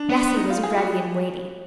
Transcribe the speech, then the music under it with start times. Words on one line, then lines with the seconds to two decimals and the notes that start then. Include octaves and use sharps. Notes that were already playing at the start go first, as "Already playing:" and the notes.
Bessy was ready and waiting.
Already playing: D4
0.10 B3
0.37 D#4
0.50 F4
0.63 G#4
0.71 F4
0.77 F#4